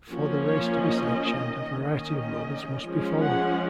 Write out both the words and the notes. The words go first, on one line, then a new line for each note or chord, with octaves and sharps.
For the race to be sanctioned, a variety of rules must be followed.
F3 A#3 C#4 F#4
C#5
D#5
D#3 A#3 C#4
D#5
F3 G#3 C#4
F#5